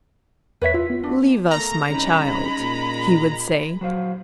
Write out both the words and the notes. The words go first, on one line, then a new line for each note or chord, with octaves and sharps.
"Leave us, my child," he would say.
E2 B4 C#5 E5 B6
E4 F4
B3
D4 F#4
A3 A#3 A#5
C2 G#3 C#4 D#4 B5
A#2
A#1 F#3 C5 F5